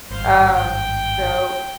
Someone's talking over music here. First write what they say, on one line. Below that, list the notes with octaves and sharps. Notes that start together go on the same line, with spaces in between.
Um, so
G#1 G2 C5 F5
G5